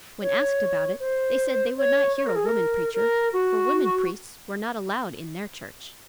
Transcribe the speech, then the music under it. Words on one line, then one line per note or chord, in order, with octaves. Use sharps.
When asked about it, they said they would not hear a woman preacher, for women priests were not allowed in their church.
C#5
C5
C#5
C#5
A#4
G#4
A#4
A#4
F#4